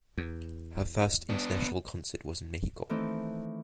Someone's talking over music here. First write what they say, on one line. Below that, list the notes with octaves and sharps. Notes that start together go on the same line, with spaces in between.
Her first international concert was in Mexico.
E2
B3 D4
D#3 E3 A3 C4 D#4 A4